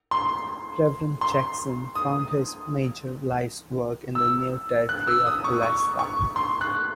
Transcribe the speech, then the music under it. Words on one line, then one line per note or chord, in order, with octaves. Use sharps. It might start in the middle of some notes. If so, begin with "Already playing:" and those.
Reverend Jackson found his major life's work in the new territory of Alaska.
C6
C6
D#6
E6
F#6
E6
D#6
C#6
C#6
C#6
C6
F#6